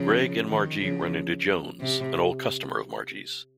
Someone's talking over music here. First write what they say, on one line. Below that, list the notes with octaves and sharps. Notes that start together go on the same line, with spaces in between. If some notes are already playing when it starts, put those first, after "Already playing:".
Gregg and Margy run into Jones, an old customer of Margy's.
Already playing: C#3 F3
D#3
C#3 F3
C3